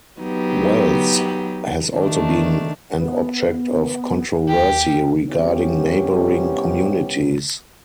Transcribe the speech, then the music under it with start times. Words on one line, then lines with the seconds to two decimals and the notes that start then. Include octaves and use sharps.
Wells has also been an object of controversy regarding neighbouring communities.
0.20 F#3 B3 D#4 G4
1.93 D#3 A3 D4
3.00 B3
4.48 D#2 G4
5.30 C2 C3 B3 C#4 G4